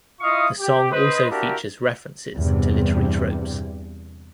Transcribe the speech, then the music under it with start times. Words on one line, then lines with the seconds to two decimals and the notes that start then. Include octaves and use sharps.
The song also features references to literary tropes.
0.21 E4 F4 D#5 F5 C#6 D#6
0.59 G4
0.91 B4 C5 D#5
1.30 A#3 D4 E4 F#4 G4 A#4
2.38 E2 G2 C3